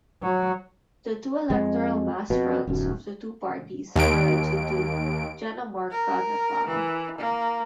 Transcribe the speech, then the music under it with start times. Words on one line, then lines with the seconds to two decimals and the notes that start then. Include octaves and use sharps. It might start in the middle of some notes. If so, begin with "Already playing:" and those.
The two electoral mass fronts of the two parties merged into Janamorcha Nepal.
0.22 F#3
1.50 F2 G#3
2.30 F2 B2
2.67 D#1 B1 F#2
3.96 D#2 D7
5.91 A#4
6.67 E3
7.18 A#3